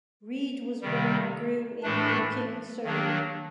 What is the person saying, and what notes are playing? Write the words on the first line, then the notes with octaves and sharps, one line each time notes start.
Reed was born and grew in Woking, Surrey.
C3 D#3 G3
A2 E3 A3 D4
D#3 F#3 A#3 D4